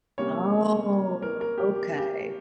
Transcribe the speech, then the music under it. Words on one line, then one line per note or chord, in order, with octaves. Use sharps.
Oh. Okay.
C3 G3 A#3 C#4 C#5
A#4
A#4
G4
G4
G4